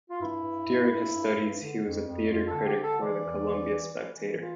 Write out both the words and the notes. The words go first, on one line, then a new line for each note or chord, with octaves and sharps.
During his studies, he was a theater critic for the "Columbia Spectator".
F4
G2 E4
G2
G2
G2
G2
G2
D3
F2
F2
F2 F4
A4
D3
G4
D3
A4
E3 D5
E2
E3
E3
E3
E3
E3 F4